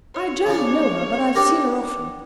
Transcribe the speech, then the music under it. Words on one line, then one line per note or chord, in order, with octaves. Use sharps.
I don't know her; but I have seen her often.
C#5
C#3 F3 D4
D4 G4 A#4